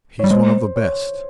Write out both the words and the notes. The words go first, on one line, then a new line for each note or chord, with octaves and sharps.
"He's one of the best!"
G3 C#5
G#3 C5
C#5